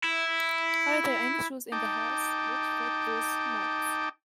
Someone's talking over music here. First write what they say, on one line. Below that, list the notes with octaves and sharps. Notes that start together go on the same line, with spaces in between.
Are there any shoes in the house which fit those marks?
E4
D#4 G5 A5 D6